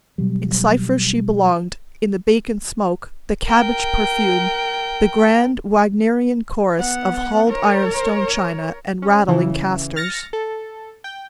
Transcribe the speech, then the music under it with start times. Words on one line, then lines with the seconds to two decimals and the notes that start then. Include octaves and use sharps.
In Cypher's she belonged--in the bacon smoke, the cabbage perfume, the grand, Wagnerian chorus of hurled ironstone china and rattling casters.
0.18 B2 F#3 G3
3.46 A#4 G5
6.77 B3 F#5
7.49 A#4 C#5
9.02 C#4
9.28 C#3 E3
9.96 F6 A6 A#6 C#7
10.33 A4
11.04 G5